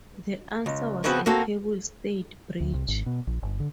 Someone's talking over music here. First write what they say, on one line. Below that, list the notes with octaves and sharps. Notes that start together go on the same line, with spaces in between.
The answer was a cable-stayed bridge.
C#2
C#3 F3 B3 C4 F#4
A#3 C4 F#4 A4
D2
C2
G#1
B2
A#1
G1
D3